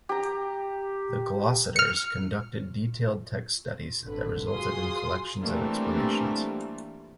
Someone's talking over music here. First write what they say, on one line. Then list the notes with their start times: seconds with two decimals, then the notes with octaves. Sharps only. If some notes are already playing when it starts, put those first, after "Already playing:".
The glossators conducted detailed text studies that resulted in collections of explanations.
0.09 G4 A#5
1.76 F6 C#7
4.03 G#1 D3 B4
4.49 F4 F#4 G#4 C6 D#6
5.42 E3 G3 A3 A#3 C4 D4